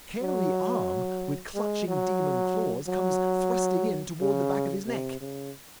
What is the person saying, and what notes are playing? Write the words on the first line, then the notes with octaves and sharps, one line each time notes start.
A hairy arm with clutching demon claws comes thrusting in toward the back of his neck.
F#3
G#3
F#3
F#3
C#3
C3
C#3